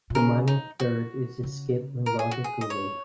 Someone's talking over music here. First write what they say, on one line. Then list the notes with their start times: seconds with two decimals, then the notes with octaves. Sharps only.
The minor third is a skip melodically.
0.10 A#2
0.15 C#3 A#4
0.48 D#4
0.80 F#4
1.43 C#3
2.06 A#4
2.19 G#4
2.31 F#4
2.44 G#4
2.61 D#5
2.70 C#5